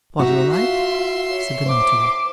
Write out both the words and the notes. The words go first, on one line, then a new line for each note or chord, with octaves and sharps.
'Father alive?' said the Notary.
D#4 F#4 E5
F4 E5 C6
C#5
C5 D6